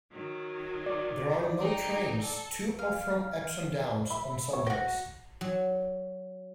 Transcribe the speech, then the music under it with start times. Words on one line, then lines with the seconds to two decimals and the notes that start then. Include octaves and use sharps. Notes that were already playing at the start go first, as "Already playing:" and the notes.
There are no trains to or from Epsom Downs on Sundays.
0.11 D#3 F#3
0.86 D5
1.60 D#4 G5
2.21 A4
2.79 F5
4.10 E5 B5
4.53 C#5 E5
4.67 F#4 G4 A#6
5.41 F#3